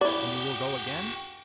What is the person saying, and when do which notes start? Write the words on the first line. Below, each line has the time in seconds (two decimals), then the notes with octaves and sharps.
"And you will go again?"
0.01 E4 F#4 G4 D5